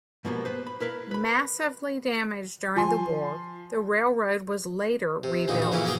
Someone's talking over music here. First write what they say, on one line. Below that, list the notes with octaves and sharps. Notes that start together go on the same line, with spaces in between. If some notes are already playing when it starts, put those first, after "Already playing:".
Massively damaged during the War, the railroad was later rebuilt.
G#2 B2 F3 G3 A#3 B3
B4 C5
B5
E4 A#4 B4 F5
B4 B5
F3 G#5 C6
C3
E2 A#2 D3 D#4
A#1 F#4
A#2 C#3 E3 C#4 E4
F#3 A#3 B3 G#4 G5